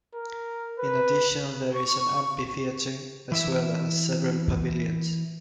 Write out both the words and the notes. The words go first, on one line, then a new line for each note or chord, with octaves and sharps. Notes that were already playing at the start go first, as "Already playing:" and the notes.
In addition, there is an amphitheater as well as several pavilions.
A#4
B4
C#6
E3 E4 E5